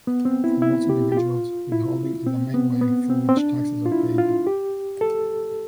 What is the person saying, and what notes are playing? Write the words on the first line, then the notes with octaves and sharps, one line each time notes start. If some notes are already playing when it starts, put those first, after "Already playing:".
For most individuals, withholding is the main way through which taxes are paid.
B3
C4
E4
E4
G4
G4
F4
E4
C4
B3
B3
C4
C4
D4
F4
E4
F4
G4
A4